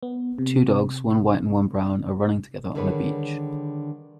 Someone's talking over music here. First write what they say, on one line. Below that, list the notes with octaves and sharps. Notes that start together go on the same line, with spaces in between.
Two dogs one white and one brown are running together on a beach.
B3
C3
D3 D#3 G3 G#4 B4 C#5